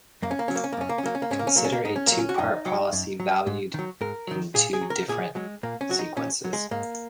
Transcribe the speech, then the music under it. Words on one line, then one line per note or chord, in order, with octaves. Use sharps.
Consider a two-part policy valued in two different sequences.
F#2 A#3
C#4
A#3
F#3 C#4
A#3
C#4
A#3
F#2 C#4
A#3
C#4
F#3 A#3
C#4
A#3
G#2 C#4
A#3
C#4
F#3 A#3
C#4
A#3
G#2 D#4
C#4
F#3 A#3
C#4
F#4
F#2 D#4
F#3
F#2
F#3
G#2
D#3 F#3
G#2 A#4
D#3 F#3
A#2 G#4
G#4
F#3
A#4
A#2 G#4
F#3 G#3
A#2 A#3
C#4
F#3 F#4
D#4
A#2 C#4
F#3
G#3
G#2 A#3